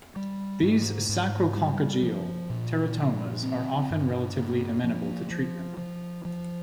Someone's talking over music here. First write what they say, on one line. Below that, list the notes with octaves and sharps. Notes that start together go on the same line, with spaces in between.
These sacrococcygeal teratomas are often relatively amenable to treatment.
G3
G#2
G#2
G3
F3
A#2
F3
C4
G2
A#3
F3
F3
F3
F3